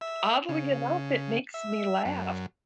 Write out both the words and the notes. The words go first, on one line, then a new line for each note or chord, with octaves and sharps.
oddly enough, it makes me laugh
E5
C#3
E5
F#2